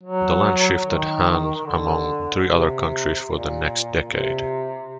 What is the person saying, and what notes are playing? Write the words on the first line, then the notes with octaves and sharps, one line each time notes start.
The land shifted hands among three other counties for the next decade.
F#3
D#3
D#3
D3
C3
A#2
C3